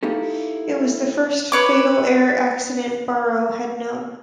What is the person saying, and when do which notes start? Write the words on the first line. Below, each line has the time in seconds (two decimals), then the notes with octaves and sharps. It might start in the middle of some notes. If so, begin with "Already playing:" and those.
It was the first fatal air accident Barrow had known.
0.03 A#3 D#4 E4 G4 A4
1.52 B4 C#5 D6